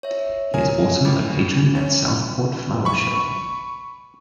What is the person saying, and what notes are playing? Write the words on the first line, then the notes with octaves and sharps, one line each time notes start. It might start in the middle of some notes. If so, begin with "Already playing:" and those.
He is also a patron at Southport Flower Show.
C#5 E5
G#4 A#4 C#5 G#5
A2 B5 D6
C#4
B5 C#6